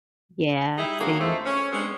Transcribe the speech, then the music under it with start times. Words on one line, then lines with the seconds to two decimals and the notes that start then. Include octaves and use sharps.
Yeah, same.
0.78 G3 D#4 E4 G#4
0.99 D3 F#3 A#3 F#4 G#4
1.19 F2 G#3 A3 A4 C5
1.46 C#4 C#5
1.72 G#3 B3 C4 D4 G#4